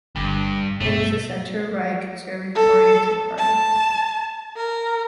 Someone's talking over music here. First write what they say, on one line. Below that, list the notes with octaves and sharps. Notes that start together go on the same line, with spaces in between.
It is a centre-right, Conservative-oriented, party.
G1 G2
G2 B2 A3
A4
A5
A#4